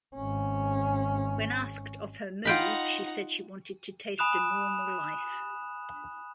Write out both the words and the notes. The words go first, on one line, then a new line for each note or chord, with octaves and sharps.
When asked of her move, she said she wanted to taste a normal life.
G#1 C#4
D#4 F4 F#5 G5 B5
G#5 B5 D#6 F#6 E7 F7